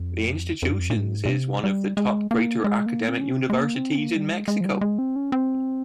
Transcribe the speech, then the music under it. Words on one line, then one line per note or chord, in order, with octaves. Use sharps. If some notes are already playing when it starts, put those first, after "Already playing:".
The institution is one of the top greater academic universities in Mexico.
Already playing: F2
F2
G2
F2
A#2
G#2
A#2
C3
G3
G#3
A#3
G#3
A#3
C4
C#4
C4
G#3
A#3
C4
A#3
G3
G#3
G#3
F3
G3
G#3
C4
C#4
C4